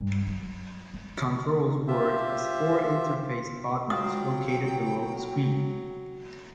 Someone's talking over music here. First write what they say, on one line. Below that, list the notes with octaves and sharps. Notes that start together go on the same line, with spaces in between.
Controls work as four interface buttons located below the screen.
G2
F#3
F2
F4 G4 C5 E5
F#3 F4 F#4 C5 G5 D#6